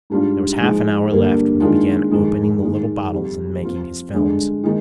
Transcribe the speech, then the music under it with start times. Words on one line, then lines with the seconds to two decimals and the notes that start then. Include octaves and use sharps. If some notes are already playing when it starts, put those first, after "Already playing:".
There was half an hour left when he began opening the little bottles and making his films.
0.10 G#2 G3 D4 F4
0.60 F3 G#3 D#4
1.11 G2 D3 G3 A#3
1.60 D#3 G#3 D4 F4
2.11 F2 D#3 G#3
2.62 G#2 D#3 G#3
3.11 F2 C3 G3
3.62 F3 C4 F4
4.13 G2 D3 G#3
4.64 D#3 G#3 D#4